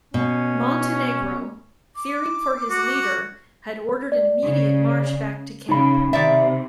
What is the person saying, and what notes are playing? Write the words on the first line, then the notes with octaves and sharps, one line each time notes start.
Montenegro, fearing for his leader, had ordered an immediate march back to camp.
B2 C#4
D6
F#4
D5
C#3
C#3 D#4 B5
C3 D#3 D5 E5